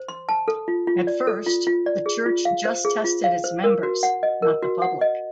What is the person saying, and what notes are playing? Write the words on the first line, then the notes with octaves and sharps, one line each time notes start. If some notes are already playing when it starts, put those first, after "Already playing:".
At first the church just tested its members, not the public.
Already playing: C5
C6
A5
A4
F4
F4
D5
A4
F4
F4
D5
G#4
F4
F5
C5
G#4
F4
F5
C5
A#4
F#4
F#5
D#5
A#4
F#4
F#5
D#5